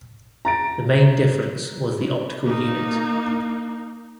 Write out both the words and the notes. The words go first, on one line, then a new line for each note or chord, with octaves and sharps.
The main difference was the optical unit.
A#5 A6 D7
A#3 D#4